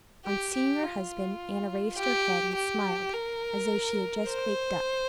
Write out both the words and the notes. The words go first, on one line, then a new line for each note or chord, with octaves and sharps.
On seeing her husband, Anna raised her head and smiled, as though she had just waked up.
G4
G4
F4
G4
G4
A#4
C5